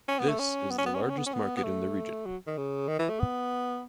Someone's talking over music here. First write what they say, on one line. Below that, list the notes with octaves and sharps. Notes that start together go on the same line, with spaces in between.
This is the largest market in the region.
C#4
B3
A3
C#4
B3
C#4
B3
C#4
B3
C#4
B3
C#4
B3
B3
A3
F#3
D#3
C#3
D#3
E3
A3
B3